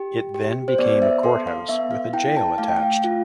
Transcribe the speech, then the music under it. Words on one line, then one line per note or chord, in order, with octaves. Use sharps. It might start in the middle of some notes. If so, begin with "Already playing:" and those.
It then became a courthouse with a jail attached.
Already playing: G4
G4
C5
B3 D5
E5
A4 C6
F5
B3 E5
F5
E4 G5
A5
A3 F5
G5
F5
F4